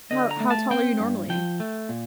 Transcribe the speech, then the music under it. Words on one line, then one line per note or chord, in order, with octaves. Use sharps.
How how tall are you normally?
D3 D#5
A#5
A3
A5
C4 G5
G2
F3 G5
A3
A#2